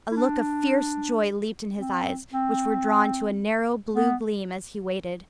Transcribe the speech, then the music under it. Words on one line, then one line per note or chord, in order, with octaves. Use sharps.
A look of fierce joy leaped in his eyes, which were drawn to a narrow blue gleam as he waited.
E4
D4
C4
C4
B3